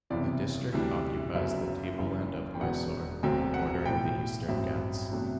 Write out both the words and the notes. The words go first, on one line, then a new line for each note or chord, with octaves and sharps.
The district occupies the tableland of Mysore, bordering the Eastern Ghats.
F#1 E2 C3 E3 D5
D2 C3 E3 G3 D4
F#1 F#2 F#3 B3 E5
F#1 F#2 E3
G5
E1 E2 D3 F#3 B3 F#5
E1 D2 D3 F#3 C4 G5
F#5
B1 A2 E3 G5
A1 G2 F#3 C4 E5
E2 C3 F#3 A3 D4